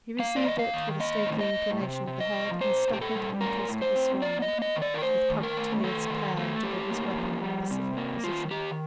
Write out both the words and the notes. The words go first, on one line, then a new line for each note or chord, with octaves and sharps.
He received it with a stately inclination of the head and stuck it in the twist of his sarong, with punctilious care to give his weapon a pacific position.
A#3 F5
D5
D#3 D#5
F5
D#3
A#3 D#5
A2
D#5
A2
C3
C3
D#5
F3
A#2 C5
A#2
G4
A4
G3
A2 A#4
A2
C5
C4
A#3 D5
D#5
A#3
D#5
D#3
D5
A#4
A3 C5
D#3
A#4
A3
D#3 A4
D#3
A3
A2 G4
A#3
F3
G3
C3
A#3
D#3 F4
D#3 G4